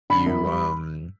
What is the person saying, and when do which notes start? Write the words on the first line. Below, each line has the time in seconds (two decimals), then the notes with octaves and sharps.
you, um,
0.10 D3 B5
0.27 F#2
0.45 G3